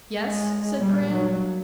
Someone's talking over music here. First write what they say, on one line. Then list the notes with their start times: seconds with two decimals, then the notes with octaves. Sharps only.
"Yes?" said Graham.
0.19 A2 G#3
0.80 A#2 G3
1.11 F#3